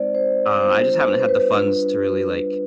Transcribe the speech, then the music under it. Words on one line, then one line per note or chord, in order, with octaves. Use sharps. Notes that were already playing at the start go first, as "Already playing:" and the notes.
uh, I just haven't had the funds to really, like
Already playing: G#3 C4 D#4 C5 D5
C5
G3 B3 D4 F4 C5
B4
C5
B4
G3 D4 F4